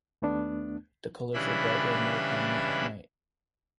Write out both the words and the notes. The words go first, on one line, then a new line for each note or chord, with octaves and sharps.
The colors are brighter and more prominent at night.
D#2 A3 B3 D4
C#3 E3 G3 D4 E4 B5